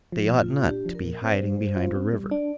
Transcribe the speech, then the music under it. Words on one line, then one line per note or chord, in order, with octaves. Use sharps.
They ought not to be hiding behind a river.
F3
A#2
F4
A#2
D4 G4
F3
A#4
A#2
C4 C5
G3
G3
F4
C4
G3
D4 D5